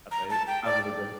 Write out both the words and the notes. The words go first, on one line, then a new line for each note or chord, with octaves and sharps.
uh, they I don't really get it.
A#5
A5
G5
D5